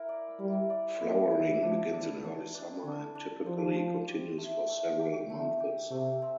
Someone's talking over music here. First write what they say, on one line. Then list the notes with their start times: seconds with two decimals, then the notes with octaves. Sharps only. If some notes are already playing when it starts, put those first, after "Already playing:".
Flowering begins in early summer and typically continues for several months.
Already playing: E4 A#4
0.09 D5
0.40 G3 E4
0.70 D5
1.01 A#3 E4
1.31 E4
1.62 F3 D4
1.93 D4
2.24 E3 D4
2.54 D4
2.85 D3 D4
3.15 D4
3.46 F3 C5
3.76 C5
4.08 G4
4.38 A3
4.68 A3
4.99 G4
5.30 D3 A3
5.60 G4
5.91 C3 A3
6.22 C4